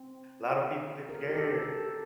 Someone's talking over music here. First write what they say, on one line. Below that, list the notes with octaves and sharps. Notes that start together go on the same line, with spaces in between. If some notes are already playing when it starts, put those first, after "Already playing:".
Lotta people get scared
Already playing: C4
A#4
G4
A4
A4